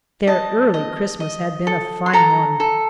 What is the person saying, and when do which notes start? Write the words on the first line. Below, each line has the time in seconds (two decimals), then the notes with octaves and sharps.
Their early Christmas had been a fine one.
0.27 D#5 A5
0.74 D#5
1.20 D#5
1.67 A4
2.06 C6
2.13 A4 A#5
2.60 A4